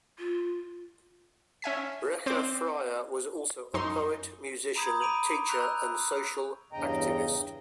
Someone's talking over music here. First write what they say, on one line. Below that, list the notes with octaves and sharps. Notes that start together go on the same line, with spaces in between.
Recha Freier was also a poet, musician, teacher and social activist.
F4
C#4 E5 G#5 B6
C4 C5 D6
F#2 D#4 C6
A#5 B5 D#6 G6 G#6
B5 D6 D7 D#7 F7 F#7
A#5 C#6 E6 F#6 G6 F7
E2 G2 C#3 D#5 G5 A#5